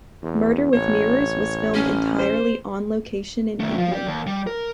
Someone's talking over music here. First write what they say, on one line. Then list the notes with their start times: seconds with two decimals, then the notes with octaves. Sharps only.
"Murder with Mirrors" was filmed entirely on location in England.
0.22 E2
0.73 A1 C#5
1.74 C#4
2.19 C5
3.60 D#3 A3
3.78 F3
3.92 G4 D5
4.06 D#2
4.27 G3
4.47 A#4